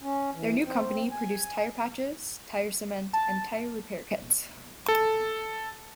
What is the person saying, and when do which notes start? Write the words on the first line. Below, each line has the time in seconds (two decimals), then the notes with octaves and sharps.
Their new company produced tire patches, tire cement and tire repair kits.
0.02 C#4
0.34 E3
0.65 C4
1.11 G#5
3.13 A5
4.88 A4